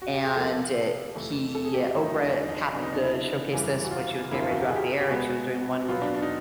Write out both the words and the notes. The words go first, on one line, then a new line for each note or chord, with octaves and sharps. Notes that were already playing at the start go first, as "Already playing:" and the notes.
and, uh, he, uh Oprah happened to showcase this when she was getting ready to go off the air and she was doing one
F#4
G4
G#4
C3 F3 A#3 A4
F2 C3 E3 A3
A4
G#4
G4
F4
F#4
F2 D3 F#3 A3 E4
D#4
D4
C#4
D4
D#4
D4
C#3 F#3 B3 D4
D#4
D4
E4
F#2 C#3 E3 G3
F#4
F4
F#2 D3 F3 A#3 E4
F4
F#4
G4
G#4
G4
G4
B2 G#3 B3 F#4
B2 F#3 B3 F4
D4
D4
D#4